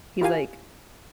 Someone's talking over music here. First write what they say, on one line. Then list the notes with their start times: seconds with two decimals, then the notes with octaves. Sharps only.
He's, like,
0.21 E4 F4 G4 A#4 F5 G#5